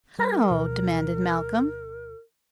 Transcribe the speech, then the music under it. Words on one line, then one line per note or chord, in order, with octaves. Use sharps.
"How?" demanded Malcolm.
G3 A#4
D2 B2 F3